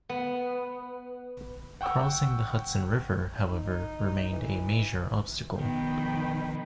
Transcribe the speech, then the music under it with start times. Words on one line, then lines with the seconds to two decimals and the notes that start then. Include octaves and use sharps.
Crossing the Hudson River, however, remained a major obstacle.
0.09 B3
1.81 F#5 G5 C#6 E6
3.48 D#4
4.30 E3
5.58 B2 D#3 F3 B3 B4 G5